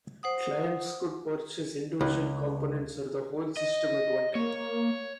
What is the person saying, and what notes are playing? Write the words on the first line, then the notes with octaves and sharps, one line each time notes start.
Clients could purchase individual components or the whole system at one time.
C5 F#5 D#6
C#2
D#5
A#3 C#5